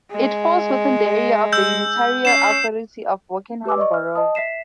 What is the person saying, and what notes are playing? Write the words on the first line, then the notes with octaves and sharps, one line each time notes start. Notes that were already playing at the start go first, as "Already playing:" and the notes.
It falls within the area of the unitary authority of Wokingham Borough.
G#3
E6 G6
C#4 C7 E7
G4 B4 D6 E6
D5 D#5 C#6
F6
D#5 A5 D#6
E5 B6 C7 E7